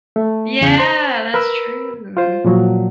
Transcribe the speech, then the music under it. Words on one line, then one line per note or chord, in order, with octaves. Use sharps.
Yeah, that's true.
A3
E2 C#3 G6
C5 C6
A#4 B4 B5 E6
F4 C5
A#2 F3 F#3